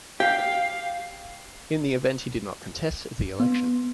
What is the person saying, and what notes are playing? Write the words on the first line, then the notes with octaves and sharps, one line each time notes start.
In the event he did not contest the election.
G4 F5 G5
B3